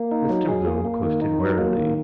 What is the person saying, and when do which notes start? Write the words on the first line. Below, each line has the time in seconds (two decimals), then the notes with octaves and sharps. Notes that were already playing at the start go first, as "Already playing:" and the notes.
Mr Bloom coasted warily.
Already playing: A#3
0.11 D#4
0.29 F#3
0.48 G#4
0.66 A#3
0.85 A#3
1.03 D#3
1.22 D#4
1.40 F#3
1.58 A#3
1.77 D#3